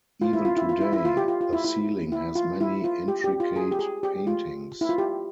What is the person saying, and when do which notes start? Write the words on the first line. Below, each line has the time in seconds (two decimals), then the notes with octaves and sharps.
Even today, the ceiling has many intricate paintings.
0.21 F4
0.33 E4
0.45 F4
0.57 E4
0.69 F4
0.81 E4
0.93 E4
1.05 F4
1.17 G4
1.28 F4
1.41 F4
1.53 E4
1.65 E4
2.12 E4
2.35 F4
2.60 E4
2.84 F4
3.08 G4
3.24 G4
3.40 F4
3.56 G#4
3.72 G4
3.79 G#4
4.03 G4
4.27 F4
4.81 E4
4.89 F4
4.98 G4